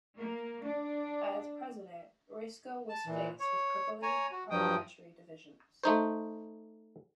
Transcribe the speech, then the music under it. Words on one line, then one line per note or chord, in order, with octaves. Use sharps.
As president Riesco was faced with crippling parliamentary divisions.
A#3
D4
A5
A#2 E3
C#5
C#5 G#5 A#5
F#4
G2 F3 F#3 G5 D#6
A3 D#4 C5